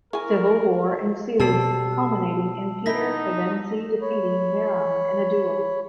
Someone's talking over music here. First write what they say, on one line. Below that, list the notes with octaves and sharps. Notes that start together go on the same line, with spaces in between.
Civil war ensues, culminating in Peter Pevensie defeating Miraz in a duel.
E4 G#4 A#4 G#5 C#6
B2 G3 C4 A5 E6 C7
D#4 E4 G5 A#6 B6
C#5 B5